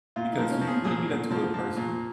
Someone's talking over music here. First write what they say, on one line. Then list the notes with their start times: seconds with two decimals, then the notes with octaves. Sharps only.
because you wouldn't do that to a person.
0.16 A#2 F4
0.33 D#4
0.38 F3
0.51 C#4
0.61 F3
0.67 G#4
0.84 A#2 G#4
1.08 A#2
1.31 F3
1.54 F3
1.76 A#2